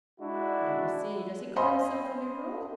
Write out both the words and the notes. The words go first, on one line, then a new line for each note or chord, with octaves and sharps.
"Let me see, does he call himself a Liberal?"
G#3 D4 E4 F#4
C5 D#5 F5 G#5 B5 C6